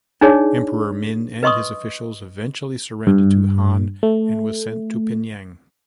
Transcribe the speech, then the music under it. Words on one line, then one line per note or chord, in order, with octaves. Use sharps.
Emperor Min and his officials eventually surrendered to Han and was sent to Pingyang.
D4 D#4 G#4 C#5 D5
B4 D#5 C6 C#6 D#6
G2
A3